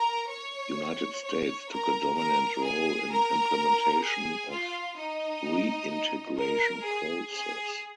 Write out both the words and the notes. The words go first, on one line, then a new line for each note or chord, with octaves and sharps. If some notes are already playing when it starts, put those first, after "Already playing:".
United States took a dominant role in implementation of reintegration process.
Already playing: A#4 A#5
C#5 C#6
C#5 C#6
A#4 A#5
A#4 A#5
G#4 G#5
A#4 A#5
G#4 G#5
F4 F5
D#4 D#5
A#4
G#4
G#4